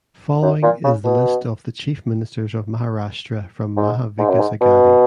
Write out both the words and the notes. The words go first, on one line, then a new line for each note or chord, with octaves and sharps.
Following is the list of the Chief Ministers of Maharashtra from Maha Vikas Aghadi.
F#2
A#2
C#3
B2
G#2
G#2
F#2
G#2
B2